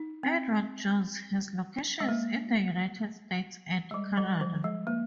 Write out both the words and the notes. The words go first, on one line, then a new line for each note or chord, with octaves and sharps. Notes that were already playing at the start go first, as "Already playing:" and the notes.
Edward Jones has locations in the United States and Canada.
Already playing: D#4
C4
G#3
A#3
G#3
G3
G3
F3
G#3
A#3